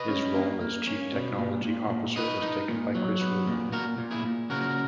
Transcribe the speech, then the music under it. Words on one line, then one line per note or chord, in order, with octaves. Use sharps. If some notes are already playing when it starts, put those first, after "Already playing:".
His role as Chief Technology Officer was taken by Chris Rouland.
Already playing: B4 D#5
C#4
A#3
A#3
C#4
B2
A#2
A#2
A#2
D#4 B4 D#5
D#4
A#2
F#3
B3
A#2
A#2 F#4 A#4
A#2
E4 G#4
A#2
C#3 F#4 A#4